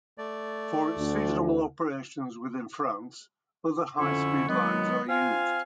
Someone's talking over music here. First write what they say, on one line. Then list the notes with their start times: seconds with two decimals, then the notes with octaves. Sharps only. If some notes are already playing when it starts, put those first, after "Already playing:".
For its seasonal operations within France, other high-speed lines are used.
0.18 A3 D5
0.97 D2
3.99 F2 D3 C#4 E4 C#6
4.49 D#3 F#3 G#3 B3
5.09 C4 F4 F5 G#5 F6